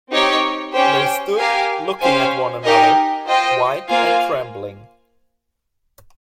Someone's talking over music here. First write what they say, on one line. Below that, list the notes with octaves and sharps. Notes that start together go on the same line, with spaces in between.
They stood looking at one another, white and trembling.
C4 D#4 G4 C#5
C#4 G4 C5 G5
G4 A#4 F5 G#5
C#4 G4 C5 F5 G#5
D#4 G4 A#4 D#5 G#5
F4 C5 D#5 G5
A#3 F4 C5 F5 G#5